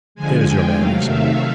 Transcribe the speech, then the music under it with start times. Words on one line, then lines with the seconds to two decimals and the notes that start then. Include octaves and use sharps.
'There's your man,' he said.
0.15 D3 F3 G#3 G#5
0.45 G5
0.75 C3 D#3 F#3 A3 F5
1.04 E5